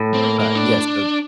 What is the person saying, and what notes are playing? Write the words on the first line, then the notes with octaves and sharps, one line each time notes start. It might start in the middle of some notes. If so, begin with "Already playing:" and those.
but yeah, so
Already playing: A2
C4
A#3
A#3
D4